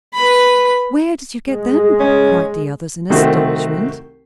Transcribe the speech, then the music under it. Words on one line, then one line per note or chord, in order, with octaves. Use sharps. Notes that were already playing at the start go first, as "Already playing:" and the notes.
"Where did you get them?" cried the others in astonishment.
B4 B5
G#3
C#4
C2 D#3 A3 C4 F#4